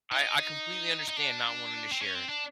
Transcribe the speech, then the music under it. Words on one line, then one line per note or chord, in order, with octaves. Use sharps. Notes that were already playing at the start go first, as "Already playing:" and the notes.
I I completely understand not wanting to share.
D#4
D#4
D4
C4
C#4
C4
D4